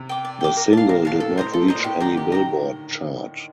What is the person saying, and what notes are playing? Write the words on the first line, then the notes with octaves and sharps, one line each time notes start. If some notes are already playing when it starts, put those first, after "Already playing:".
The single did not reach any Billboard chart.
Already playing: C3
G5 D6
D5
G5 D6
A#4
F5 A5
A#2 A#4
A2 F5 A5
A4
A2
C5 D#5 A#5
A4
C5 D#5 A#5
A#2
A2 G4
D3 D5 G5 A#5
D#3 G4
G5 A#5